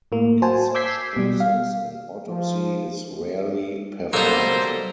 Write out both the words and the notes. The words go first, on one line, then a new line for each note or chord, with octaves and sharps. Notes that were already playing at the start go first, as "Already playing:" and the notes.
In such cases, an autopsy is rarely performed.
A2 A#3
F#4 C5 G#5 A5
D6 E6 G6 G#6 B6 C7
B2 G3
F5
F3
F#3 G3 A#3 B3 D#4 A4 C5